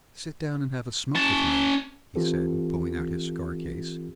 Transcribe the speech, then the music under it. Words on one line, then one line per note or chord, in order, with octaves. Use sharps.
"Sit down and have a smoke with me," he said, pulling out his cigar case.
C#4 A5
E3 C4 F4 G4 A4